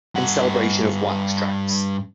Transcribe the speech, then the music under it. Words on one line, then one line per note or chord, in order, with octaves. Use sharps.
In celebration of Wax Trax!
G2 F#5